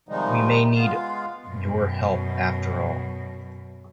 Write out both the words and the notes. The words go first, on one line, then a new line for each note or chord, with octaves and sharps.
We may need your help after all.
C3 D#3 F3 G3 G#3 D#4
G#3 B3 F4 F5
F#2 B2